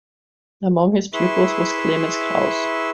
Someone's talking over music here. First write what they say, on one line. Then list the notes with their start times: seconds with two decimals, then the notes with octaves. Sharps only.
Among his pupils was Clemens Krauss.
1.14 E4 G#4 B4 E5 C6 C#6